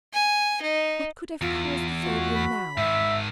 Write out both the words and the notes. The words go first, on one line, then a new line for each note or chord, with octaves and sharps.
What could have caused the failure now?
G#5
D#4
E2 F4
F4 F#4
B5
G#2 D#3 E5